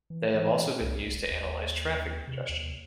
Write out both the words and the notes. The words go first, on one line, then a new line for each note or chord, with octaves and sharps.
They have also been used to analyze traffic congestion.
E3
E3
C2
F#1
D#2
C3
D#2